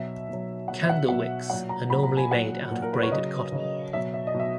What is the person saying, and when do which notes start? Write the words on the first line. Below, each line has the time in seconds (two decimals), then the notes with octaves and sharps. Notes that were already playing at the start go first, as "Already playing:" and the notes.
Candle wicks are normally made out of braided cotton.
Already playing: B2 F#3 E5
0.28 B2 F#3
0.68 B2 F#3 F#5
0.83 E5
0.89 F#5
1.09 B2 F#3 F#5
1.50 A#2 F#3 F#5
1.69 A#5
1.90 A#2 F#3 B5
2.03 A#5
2.17 G#5
2.31 A#2 F#3 F#5
2.71 A#2 F#3
2.82 A#4
2.93 B4
3.03 C#5
3.12 C#3 F#3 D#5
3.52 C#3 F#3
3.93 B2 F#3 E5
4.14 E5
4.27 D#5
4.34 B2 F#3
4.40 E5